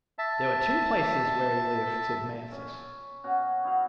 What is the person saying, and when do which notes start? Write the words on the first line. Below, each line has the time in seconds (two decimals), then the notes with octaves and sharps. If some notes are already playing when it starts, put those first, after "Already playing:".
"There were two places where he lived," said Mansus.
0.19 E5 A5
2.52 C#4
3.24 B2 C#4 F#4
3.64 D#4 E4 F#4 F5